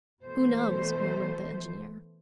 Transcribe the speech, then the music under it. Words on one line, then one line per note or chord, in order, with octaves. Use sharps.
"Who knows?" murmured the engineer.
B2 E3 A3 C5